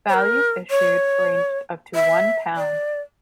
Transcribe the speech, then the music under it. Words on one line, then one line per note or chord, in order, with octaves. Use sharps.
Values issued ranged up to one pound.
C#5
A#4
C#5
E5
D5